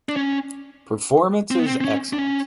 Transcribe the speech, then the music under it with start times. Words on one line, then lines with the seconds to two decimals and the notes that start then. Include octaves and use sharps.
Performance is excellent.
0.09 D4
0.16 C#4
1.51 C4
1.59 B3
1.66 C4
1.81 C4
1.85 C#4
2.13 D4
2.18 C#4